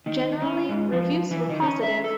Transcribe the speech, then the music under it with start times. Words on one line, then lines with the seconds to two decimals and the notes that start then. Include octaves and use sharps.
Generally, reviews were positive.
0.06 D#3
0.42 C#4
0.69 G#2
0.92 F3
1.31 E3
1.49 D#3
1.62 C#4
1.83 E5
2.04 A4